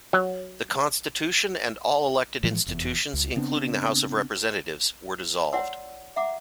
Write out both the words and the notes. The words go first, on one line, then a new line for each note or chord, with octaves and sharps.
The constitution and all elected institutions, including the House of Representatives, were dissolved.
F#3
A2 E3 F3 G#3
F1 E2
C#2
C#3 B3 C4 D4
E4 C#5 D5 F#5 C6 E6
E5 F#5 A#5 D6